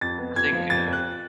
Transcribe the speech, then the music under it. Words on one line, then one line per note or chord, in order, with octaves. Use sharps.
I think, uh
F2 A6
B3
F2 G#6
F3
F2 A6
F2
F#6